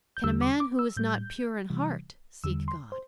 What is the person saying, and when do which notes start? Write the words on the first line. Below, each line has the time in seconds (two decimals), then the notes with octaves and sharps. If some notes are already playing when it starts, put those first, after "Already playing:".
"Can a man who is not pure in heart seek God?"
0.17 G6
0.24 E2 D3 G3 E6
0.41 D6
0.60 D6
0.79 E6
0.97 A2 G3 G6
1.70 C3 E3 G3
2.44 E2 D3 G3 E6
2.68 C6
2.92 C5